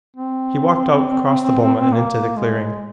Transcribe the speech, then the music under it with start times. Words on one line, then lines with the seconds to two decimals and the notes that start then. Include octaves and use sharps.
He walked out across the boma and into the clearing.
0.16 C4
1.92 A#3
2.37 G#3